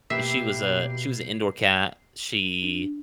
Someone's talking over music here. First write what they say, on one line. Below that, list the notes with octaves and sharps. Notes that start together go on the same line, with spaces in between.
She was a she was a indoor cat. She
B2 A#3 G4 B4 E5 C7
D4